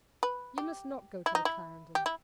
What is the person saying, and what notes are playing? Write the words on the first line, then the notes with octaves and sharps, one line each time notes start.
'You must not go to the Clarendon.
B4
G4
E4
D#4
E4
G4
E4